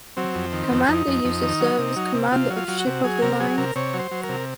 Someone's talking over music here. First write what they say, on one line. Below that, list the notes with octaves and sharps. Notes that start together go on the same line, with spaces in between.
Commander used to serve as commander of ship of the lines.
F#3 C4
F2
D#3
F2
F2 D#4
F2
F2
D#3
F#3
C3
F#3
C3
C3 F4
F#3
F4
F#3
F#4
C3
F#3 G#4
C3 A#4
F#3 G#4
C3 A#4
C3 C#5
F#3
C5
F#3
A#4
C3